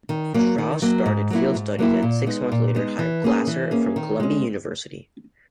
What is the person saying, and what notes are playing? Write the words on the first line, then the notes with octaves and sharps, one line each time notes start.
Strauss started field studies and six months later hired Glaser from Columbia University.
D#3
F#3 A#3
D#3
F#3 A#3
G#2
F#3 A#3 E4
G#2
F#3 A#3 E4
A#2
G#3 B3 D#4
A#2
G#3 B3 D#4
E3
A#3 C#4 G#4
E3
A#3 C#4 G#4
D#3
G#3 C#4